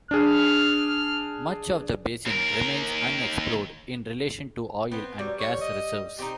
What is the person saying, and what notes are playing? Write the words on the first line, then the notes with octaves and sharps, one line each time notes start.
Much of the basin remains unexplored in relation to oil and gas reserves.
D4 G#4 F6
D#2 A#4
B3 C4
F#3 G3
C#5
D#5
C4 D#4 G4